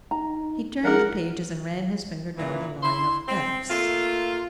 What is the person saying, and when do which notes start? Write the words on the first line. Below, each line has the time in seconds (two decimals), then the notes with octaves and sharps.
He turned the pages and ran his finger down the line of "Fs."
0.11 D#4 A#5
0.84 F3 G#3 G#4 A#4 E5 F#5
2.37 A#2 E3
2.83 E4 C6
3.28 C4
3.70 A3 A#3 F4